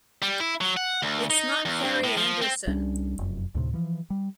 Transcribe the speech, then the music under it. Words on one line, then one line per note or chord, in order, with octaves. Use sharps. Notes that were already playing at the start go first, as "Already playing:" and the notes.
It's not Harry Anderson.
G3
E4
F#3
F#5
D2
D#4
E2
G2
A2
F3
C4
C2 G3 C#4 D4
F1 F#2
D2 A2 C3
E3 F3
G3